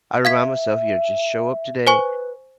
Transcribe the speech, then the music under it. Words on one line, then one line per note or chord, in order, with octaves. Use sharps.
I remind myself, you know, "Just show up today,"
E5 F5 G#6 B6
B4 C5 G#5 C#6